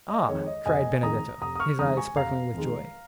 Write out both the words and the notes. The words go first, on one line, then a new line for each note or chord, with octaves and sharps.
"Ah," cried Benedetto, his eyes sparkling with joy.
D#5
F2 D#3 G#3 C#5
D#5
F1 D#5 G#5
F2 D#3 G#3 A#5 D#6
F1 A#5 D#6
D#6
C#6 F6
F2 D#3 G#3 A#5 D#6
G#5 C#6
F1 F5 A#5
F2 D#3 G#3